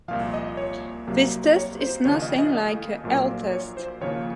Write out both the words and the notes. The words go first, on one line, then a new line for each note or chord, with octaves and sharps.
The test is nothing like an L-test.
C2 A#2 F3 F5
D#5
C#5
C2 C3 F#3 A#3
C#5
C5
D#2 C#3 F3 C#5
D#5
D#5
D#5
A#1 A#2 F#3 A#3
C#5
C5
D#2 C#3 F3 A#3 C#5